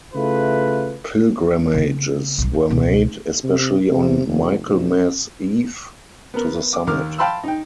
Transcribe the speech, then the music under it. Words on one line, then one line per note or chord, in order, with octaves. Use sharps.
Pilgrimages were made, especially on Michaelmas Eve, to the summit.
C#3 A3 E4 F4 B4
C#3 B3
B1 F#3
F4
C#2 B2
C3
C3
F1
B1
B3 A#4
D6
D#2 A#4 D6 F6
F5 G5 A5 B5 C6 E6
D#4 G5